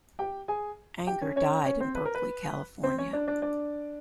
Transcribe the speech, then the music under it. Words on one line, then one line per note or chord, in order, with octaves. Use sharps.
Anger died in Berkeley, California.
G4 G5
G#4 G#5
G4 G5
C#4 C#5
C#4 C#5
C#4 C#5
C4 C5
B4
A#4
B4
C4 C5
C#4 C#5
D4 D5
D4 D5
D4 D5